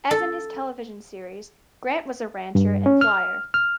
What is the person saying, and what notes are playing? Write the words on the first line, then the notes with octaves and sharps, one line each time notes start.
As in his television series, Grant was a rancher and flier.
A4
G2
C#4
F6
F6